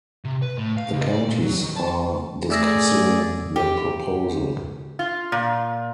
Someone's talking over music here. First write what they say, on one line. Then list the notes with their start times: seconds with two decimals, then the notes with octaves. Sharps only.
The counties are discussing the proposal.
0.25 C3
0.42 B4
0.58 A2
0.77 F5
0.93 C#2
1.10 D5
1.28 A#2
1.43 F#3
1.62 D#3
1.76 A5
2.50 A3 G#4 D5 E6 A#6
3.56 G4
4.99 F4
5.32 A#2